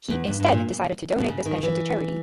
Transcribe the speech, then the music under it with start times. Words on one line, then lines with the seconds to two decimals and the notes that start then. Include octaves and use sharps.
He instead decided to donate this pension to charity.
0.10 E2
0.27 G2
0.40 G2
0.52 A#2
1.20 B2
1.29 C#3
1.46 D#3
1.63 E3